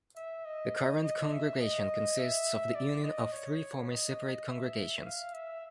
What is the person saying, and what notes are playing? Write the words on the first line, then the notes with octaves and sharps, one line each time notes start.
The current congregation consists of the union of three former separate congregations.
E5
D#5
D#5
E5
D#5
E5
D5
D#5
C#5
D#5
E5
F5
E5